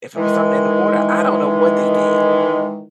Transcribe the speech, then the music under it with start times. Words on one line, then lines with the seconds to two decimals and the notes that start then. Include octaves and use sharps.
if it was something in the water, I don't know what they did,
0.16 D#3 E3 G#3